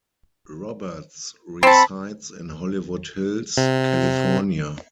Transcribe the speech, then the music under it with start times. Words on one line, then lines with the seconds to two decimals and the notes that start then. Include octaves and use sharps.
Roberts resides in Hollywood Hills, California.
1.63 C4 A4 B5
3.58 C3